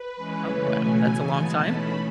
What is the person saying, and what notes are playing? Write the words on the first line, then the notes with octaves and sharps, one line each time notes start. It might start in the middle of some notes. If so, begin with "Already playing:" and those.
Oh, wow, that's a long time.
Already playing: B4
E3 G#3 C#4
C#3 E3 A3 C#4
B2 F#3 A3 C#4 G#5
C#3 E3 B3
B2 G#3 B3 D#4 A5
E3 A3 C#4 B5